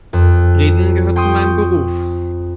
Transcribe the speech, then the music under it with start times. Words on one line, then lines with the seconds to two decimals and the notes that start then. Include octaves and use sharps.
Reden gehört zu meinem Beruf.
0.13 F2
1.16 G5 C6 C#6 D#6 G6